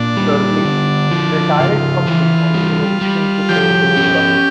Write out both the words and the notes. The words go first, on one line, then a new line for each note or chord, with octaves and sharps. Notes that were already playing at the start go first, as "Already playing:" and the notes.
Turley retired from football with an addiction to pain-killing drugs.
Already playing: A#2 D4
G3
D3
F3
C#3 F4
E3
G3
G3
F3 G4
C#4